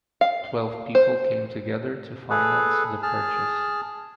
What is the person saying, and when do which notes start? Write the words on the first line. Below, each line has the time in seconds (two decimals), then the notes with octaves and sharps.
Twelve people came together to finance the purchase.
0.21 F5
0.95 C5
2.30 G#4 A4 B4
3.03 G#4 A5 F6